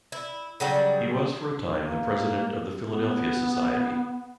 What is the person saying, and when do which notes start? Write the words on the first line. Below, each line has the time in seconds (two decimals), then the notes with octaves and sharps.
He was for a time the President of the Philadelphia Society.
0.12 E4
0.60 C#3 F#3 G3
1.78 A#3
2.86 B3